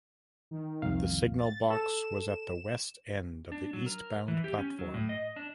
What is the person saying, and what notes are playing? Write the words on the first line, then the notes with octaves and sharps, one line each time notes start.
The signal box was at the west end of the eastbound platform.
D#3
C2 F2 F5
A6
A4 E7
D4
F#3
A#4
E3
G4
C#4
F#3
A2
D#5
D4